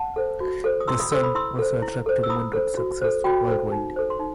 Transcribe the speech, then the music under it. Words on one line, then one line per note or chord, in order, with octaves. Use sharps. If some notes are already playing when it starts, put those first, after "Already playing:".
The song also attracted moderate success worldwide.
Already playing: F#5 A5
A4 C5
F#4
A4 C5
D#6
E4 C6 E6
B5 D#6
A4 C5 C6 E6
B5 D#6
E4 C6 E6
A4 C5
E4
A4 C5
E6
E4 B5 D#6
A4 C5
F#4
A4 C5
F#4 G5 B5
A4 C5
D#4
A4 C5
C6
D#4